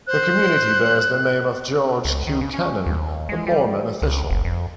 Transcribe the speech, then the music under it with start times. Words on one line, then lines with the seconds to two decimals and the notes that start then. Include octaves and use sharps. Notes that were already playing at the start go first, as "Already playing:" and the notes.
The community bears the name of George Q. Cannon, a Mormon official.
0.07 C5 F#6
2.05 C#2
2.27 D#3
2.41 C#3
2.54 C#4
2.86 D#2
3.29 G#3
3.47 G3
4.02 C#2
4.30 F#1
4.45 F2